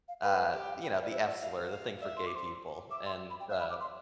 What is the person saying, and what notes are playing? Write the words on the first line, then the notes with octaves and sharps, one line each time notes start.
uh, you know, the F slur, the thing for gay people. And, uh
F5
B4 G5
F5
G4 E5
F5
B4 G5
E5
D5
C5 E5
D5
E5 F5
C5
F5
D5 E5
C6
C5 D6
C6
E5 D6
C6
B5
G5
E5 F5
B5
D6
C6